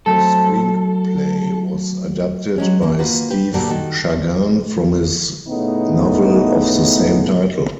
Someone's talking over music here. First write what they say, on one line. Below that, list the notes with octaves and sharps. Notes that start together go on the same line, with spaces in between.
The screenplay was adapted by Steve Shagan from his novel of the same title.
F#3 A3 C4 A4
F#3 G#3 C#4
D#2 A#3
A#3 F4 F#4 B4
G4 B4
D2 A#2 G3 A3 F#4 A#4
D#3 F#4 A4
A2 C#3 A3 B3 D#4